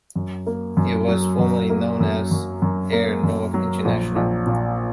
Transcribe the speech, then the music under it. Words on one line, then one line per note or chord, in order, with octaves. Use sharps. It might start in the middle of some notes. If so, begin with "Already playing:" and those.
It was formerly known as Air North International.
F#2
A#3
F#2
F#3
F#2
A#3
F#2
F#2
F#2
A#3
F#2
F#3
A#1
A#1
A#2